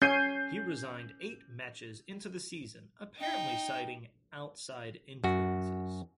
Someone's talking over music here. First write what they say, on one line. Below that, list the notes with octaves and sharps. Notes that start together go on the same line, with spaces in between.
He resigned eight matches into the season, apparently citing "outside influences".
C#4 G6 C7 D#7
D#4 G5
F#2 F#4